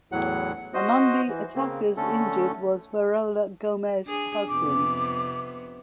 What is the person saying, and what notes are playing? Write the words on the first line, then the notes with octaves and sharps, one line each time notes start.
Among the attackers injured was Varela Gomes’ husband.
E2 A2 F#3 F#5
F#4 C5 D#5
E3
C#3 A#3 C4
D3 A3 C#4 A4
D4 G#4
F2 C3 B3 D6